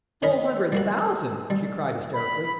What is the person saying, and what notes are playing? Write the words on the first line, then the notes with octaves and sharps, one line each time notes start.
"Full hundred thousand?" she cried, hysterically.
D#3 D#4 A#4 B5
G3 A#3 F#4
G3
B5